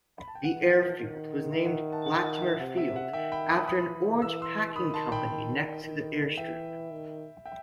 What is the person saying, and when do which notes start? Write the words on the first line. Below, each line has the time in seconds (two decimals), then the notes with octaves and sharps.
The airfield was named Latimer Field after an orange-packing company next to the airstrip.
0.20 B5
0.28 A5
0.35 G5
0.44 E3 F#5
0.98 D#3
1.52 E5
1.65 F#5
1.92 F#5 A5
2.06 F#5
2.23 F#5
2.42 E5
2.60 C3 F#5
2.77 E5
2.96 F#5
3.13 D#3 E5 G5
3.32 G5 B5
3.50 B5 D#6
3.68 E3 B5 D#6
4.22 E3 E6
4.42 C6 E6
4.75 D#3 B5 D#6
4.94 A5 C6
5.12 G5 B5
5.30 D#3
5.84 D#3
6.37 E3 E5 G5
6.92 D#3
7.45 E5 G5